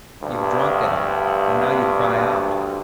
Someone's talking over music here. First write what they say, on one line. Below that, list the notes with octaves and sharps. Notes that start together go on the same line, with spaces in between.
You've drunk it all and now you cry out.
D2 G2